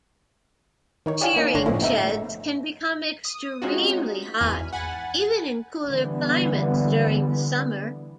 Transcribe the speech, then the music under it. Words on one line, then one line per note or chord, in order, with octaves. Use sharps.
Shearing sheds can become extremely hot, even in cooler climates, during the summer.
D#3 D#4 C#5
G4 C#5 D5 F5 G#5
A#3 C#4 D#4
G1 D3 D4 C#5 C6 A#6
A2 F3 A3 C#4 E4
A3 B3 D#4 E5
D#6
G#3 C4 C#4 D#4 F4 F#4
B6
G#1 E2 E3 G#5 B5 F6
F#5 G#5 B5 F#6 A6
D3 E3 G3 B3